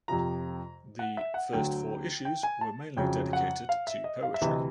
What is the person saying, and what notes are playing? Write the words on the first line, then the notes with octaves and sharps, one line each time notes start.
The first four issues were mainly dedicated to poetry.
F2 C3 F3 A#5
F#5
E5
F#5
D2 D3 F#3 A3 G5
G5
G#5
A5
F2 C#3 F#3 G5
F#5
F5
E5
D#5
F5
E5
D2 C3 E3 D#5